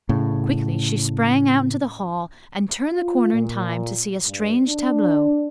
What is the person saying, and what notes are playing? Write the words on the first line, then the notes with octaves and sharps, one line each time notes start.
Quickly she sprang out into the hall and turned the corner in time to see a strange tableau.
A2 C#3
F4
A#2
G2
D4